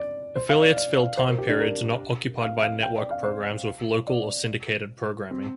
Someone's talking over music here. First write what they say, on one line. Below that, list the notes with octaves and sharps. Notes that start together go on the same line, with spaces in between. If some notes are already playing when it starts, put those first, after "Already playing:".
Affiliates fill time periods not occupied by network programs with local or syndicated programming.
Already playing: D5
C5
F5
D5
D5
C5
A#4
G4
D4
A#4
F5
F5
G5
D5
F5
C5
D5
C4